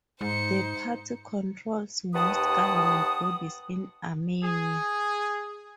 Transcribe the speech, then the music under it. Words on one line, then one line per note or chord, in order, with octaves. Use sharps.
The party controls most government bodies in Armenia.
G#2 D#4 C5 C#7
D#2 G4 B4 F#5 A5 D#6
G#4